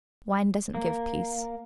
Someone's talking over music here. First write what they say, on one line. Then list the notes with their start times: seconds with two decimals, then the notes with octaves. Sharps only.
Wine doesn't give peace.
0.75 A#3